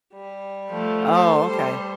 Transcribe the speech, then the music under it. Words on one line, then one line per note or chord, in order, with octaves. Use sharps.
Oh, okay.
G3
F3 A3
A4 C5
G3